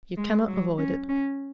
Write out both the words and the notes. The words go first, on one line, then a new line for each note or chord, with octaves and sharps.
You cannot avoid it.
G#3
F#3
C#4
C#4